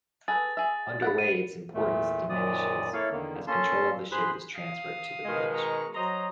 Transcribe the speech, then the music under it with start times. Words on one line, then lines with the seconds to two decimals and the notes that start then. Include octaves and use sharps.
Underway, its importance diminishes as control of the ship is transferred to the bridge.
0.28 G#4 A4 B4 A6
0.57 G#4 E5
1.02 F#5 G5 B5
1.18 D#7
1.74 E2 A#2 A3
2.29 F#2 A#2 D#3 F3 D5 D#6
2.93 A#3 E4 A4 C#5 F5
3.12 E2 D3 D#3 A#3
3.47 A#3 C#4 A4 A5 C6
4.12 G2 G#4 C5 B5 C6 F#6
4.53 F5 D#6
5.24 B2 D#3 G#3
5.54 A#5 C#6
5.94 F#3 C5 D#5 A#5